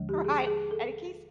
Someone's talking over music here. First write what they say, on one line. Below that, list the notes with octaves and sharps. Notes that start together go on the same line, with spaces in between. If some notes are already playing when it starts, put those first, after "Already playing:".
Right? And he Keith's
Already playing: D#2 D3 F3 G#3
G4
G#4
G#4
A4